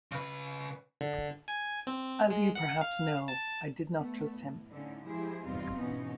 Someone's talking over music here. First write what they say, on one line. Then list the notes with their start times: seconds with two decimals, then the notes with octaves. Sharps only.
As you perhaps know I did not trust him.
0.12 C#3 B4
1.01 D3
1.48 G#5
1.87 C4
2.30 G#3
2.55 F#5
2.81 F5
3.28 A5
3.99 A3 B3
4.35 A2
4.70 A2 D3 C#4 D#4
5.07 F3 G#3 E4 G4 G#4 C5
5.44 E2 C3 G3 C4 D#4 F4
5.74 G#2 B2 E3 B3 C#4 D#4